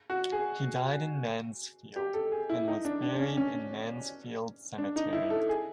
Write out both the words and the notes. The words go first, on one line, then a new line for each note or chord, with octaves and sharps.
He died in Mansfield, and was buried in Mansfield Cemetery.
F#4
G#4
G4
A4
G#4
E4
D#4
D4
D4
D4
C#4
C#4
D4
D#4
E4
A4
G#4